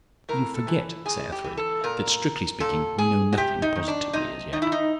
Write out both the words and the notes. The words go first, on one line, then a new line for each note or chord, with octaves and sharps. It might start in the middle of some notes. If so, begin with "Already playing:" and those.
"You forget, Sir Ethelred, that strictly speaking we know nothing positively--as yet."
A2 A#4
A4
E3
A2 G#4
G4
E3
A4
A#2 A#4
A#2 A4
G#4
F#4
C3 G4
D#4
D#3
D4
C3 D#4
D#3 D#4
E4
D#4